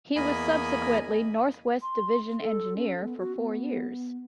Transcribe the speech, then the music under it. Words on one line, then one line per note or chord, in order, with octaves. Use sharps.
He was subsequently Northwest Division Engineer for four years.
E2 A#3 D#5 G#5 B5
C6
A4
C#4
B3
F#4
B3